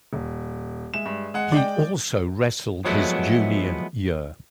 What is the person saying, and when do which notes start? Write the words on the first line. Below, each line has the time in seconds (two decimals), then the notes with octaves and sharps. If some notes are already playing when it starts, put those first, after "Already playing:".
He also wrestled his junior year.
0.13 D#1
0.94 G#3 E5 E7
1.06 G2
1.34 G#3 F#5
1.52 G#3 D5 D#5 G5
2.85 F3 F#3 G#3 A3 B3 E4